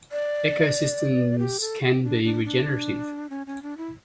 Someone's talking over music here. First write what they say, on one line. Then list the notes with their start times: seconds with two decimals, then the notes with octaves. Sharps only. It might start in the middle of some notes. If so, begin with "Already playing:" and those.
Ecosystems can be regenerative.
0.12 D5
1.39 G4
1.60 A4
1.82 G4
2.03 D4
2.23 D4
2.45 D4
3.30 C#4
3.47 C#4
3.62 D4
3.77 E4